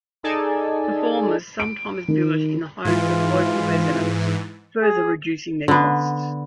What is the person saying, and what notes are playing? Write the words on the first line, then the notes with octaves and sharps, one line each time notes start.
Performers sometimes billet in the homes of local residents, further reducing their costs.
D#4 G#4 A4 D5 G#5 A5
D7
D#3
G#2 E3 F4
G#4
D3 B3